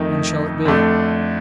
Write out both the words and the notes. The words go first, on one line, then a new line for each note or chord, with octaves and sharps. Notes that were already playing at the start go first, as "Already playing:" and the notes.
"When shall it be?"
Already playing: F2 D#3 A3 D#4
F2 D3 A3 D4